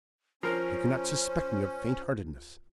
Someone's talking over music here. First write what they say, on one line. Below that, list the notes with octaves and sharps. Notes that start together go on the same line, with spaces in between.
You cannot suspect me of faint-heartedness.
F3 C#4 F4 A#4 C5